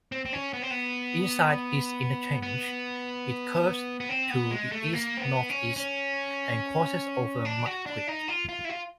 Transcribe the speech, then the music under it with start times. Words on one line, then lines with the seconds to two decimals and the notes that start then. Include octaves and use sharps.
Inside this interchange, it curves to the east-northeast and crosses over Mud Creek.
0.12 C4
0.25 C4
0.33 C#4
0.53 B3
0.62 C4
0.71 B3
2.43 B3
4.00 B3
4.09 C4
4.30 B3
4.51 G#3
4.72 A3
4.93 A#3
5.17 C4
5.21 B3
5.50 C#4
5.76 C#4
7.45 D4
7.66 F#4
7.86 D4
8.07 D#4
8.28 F4
8.49 F4
8.65 E4
8.69 F4